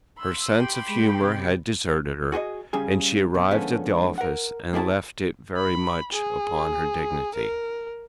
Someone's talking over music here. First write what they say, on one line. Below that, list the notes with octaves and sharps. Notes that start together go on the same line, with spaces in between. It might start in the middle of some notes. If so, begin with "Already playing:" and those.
Her sense of humour had deserted her, and she arrived at the office and left it very much upon her dignity.
B5 C6 E6
G4 G5
G#3
C3
F#4 G#4 C5 D#5
C#3 G3 G#4
B1 B2
D3 F3 G#3 A3 B3 C#4
A#4 F#5
A#3 C4 E4 G#4 G5 A5
B5
G#4
A#4